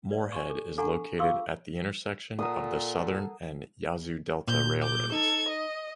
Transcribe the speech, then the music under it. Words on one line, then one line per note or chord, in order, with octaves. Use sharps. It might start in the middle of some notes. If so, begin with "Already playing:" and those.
Moorhead is located at the intersection of the Southern and Yazoo Delta railroads.
B4 D5
G#5 C6 C#6
A4
D4 A4 F#5 G#5 A#5 C#6
F4 G#4 F5 C6 C#6 E6
A#2 A4 A#4 F#5 A#5 D#6
A#2 G6
D6 G6
D#4 A4 G#6
D#5